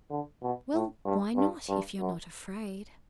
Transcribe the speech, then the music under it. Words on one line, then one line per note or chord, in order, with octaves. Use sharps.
"Well, why not, if you're not afraid?"
D3
B2
A2
G2
G2
G2
F#2